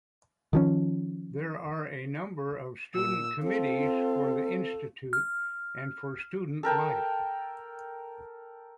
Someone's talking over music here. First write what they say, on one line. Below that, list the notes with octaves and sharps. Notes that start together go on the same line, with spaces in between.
There are a number of student committees for the Institute and for student life.
D#3 F3 C#4
A#2 E6
C4 F4 A4
F6
A4 A#4 G5 A5